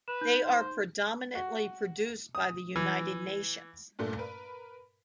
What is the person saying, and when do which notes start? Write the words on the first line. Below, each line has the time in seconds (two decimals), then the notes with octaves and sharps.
They are predominantly produced by the United Nations.
0.08 B4 E7
0.21 D#4 G6
0.44 C5
1.35 F#4
2.35 D#6
2.76 E3
3.99 G2 A#2 A3
4.18 A#4 B4